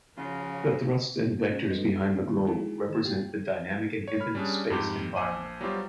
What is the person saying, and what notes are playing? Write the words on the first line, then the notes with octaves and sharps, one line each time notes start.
The thrusts and vectors behind the globe represent the dynamic and infinite space environment.
C#3 F3 C#4 F4 F#4 A#4
G#3 C#4
G3 D4 F#4 A4 B4 D#5
D#3 G#3 C#6
G#3 D#4 E4 F#4 G#4
D#3 E7
G4 F5 G5 A6
C#5
B5 F6
G3 C#4 D4 G#4
F2 G#2 G4 G6
A#1 C5 G#5 D6 D#7
F#3 G3 B3 F4 G4 C5